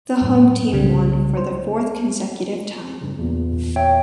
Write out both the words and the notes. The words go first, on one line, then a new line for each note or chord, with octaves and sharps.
The home team won for the fourth consecutive time.
F#2 A2
C2 C#3 G3
C5
G2 C#3
E2 A#2
C#5 E5 G5